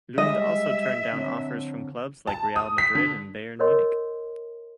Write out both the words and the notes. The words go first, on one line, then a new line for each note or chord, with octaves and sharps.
Lund also turned down offers from clubs like Real Madrid and Bayern Munich.
G3 G#3 D#5 E5
D3 C4 C#5
A5
D#6
B6
D3
A4 A#4 C#5 D#5 C6